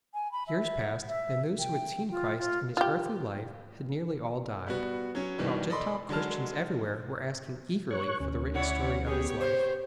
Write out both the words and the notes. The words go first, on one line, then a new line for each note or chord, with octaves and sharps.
Years passed, and those who had seen Christ in His earthly life had nearly all died, while Gentile Christians everywhere were asking eagerly for the written story of His life.
G#5
B5
E5
E5
G5
F4
F4
F4 G4
G3 B3 F#4
F#3 C#4
G2 B2 D#3 E3 G3
A4 D5 D#5 B5 C6
D3 F#3 G#3 A5 F6
C#5 C#6 F#6
D2 C#4
E4 C#5 D5 F#5
B3 G4 G#4 C#5
C5